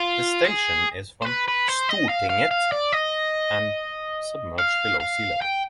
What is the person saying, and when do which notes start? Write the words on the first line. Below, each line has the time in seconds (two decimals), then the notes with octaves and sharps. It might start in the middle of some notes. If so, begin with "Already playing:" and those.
The station is from Stortinget and submerged below sea level.
Already playing: F4
0.44 G#4
1.22 C5
1.26 B4
1.48 B4
1.68 C5
1.89 D#5
2.09 F5
2.30 F5
2.51 F5
2.72 D5
2.92 D#5
4.58 F5
5.00 F5
5.41 G5